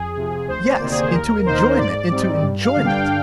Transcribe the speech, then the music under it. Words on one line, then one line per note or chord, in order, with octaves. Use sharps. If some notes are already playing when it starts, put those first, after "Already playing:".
Yes, into enjoyment, into enjoyment!
Already playing: F2 G#4
C3 F3
D2 C5
D5
C3 D#3 A#3
G#4
C5
D#2 A#4
D#3 A#3 D#4 C5
G#2 D5
G3 C4 D#4
G2
F5
D3 G3 D4
G5